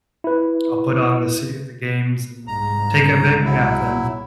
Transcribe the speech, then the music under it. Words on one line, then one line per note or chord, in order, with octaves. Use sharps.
I'll put on the se the games and take a big nap then.
E4 B4
C2 G#2 A#5
F#3 E4